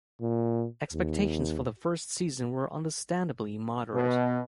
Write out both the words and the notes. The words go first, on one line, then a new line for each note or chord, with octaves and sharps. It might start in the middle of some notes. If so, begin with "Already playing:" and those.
Expectations for the first season were understandably moderate.
A#2
D#2
B2